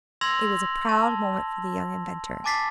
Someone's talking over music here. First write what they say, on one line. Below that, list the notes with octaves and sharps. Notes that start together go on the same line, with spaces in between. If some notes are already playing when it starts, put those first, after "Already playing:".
It was a proud moment for the young inventor.
C6 E6 G#6 A#6 F7 F#7
A5
G#5 A5 D6 A6 B6 C7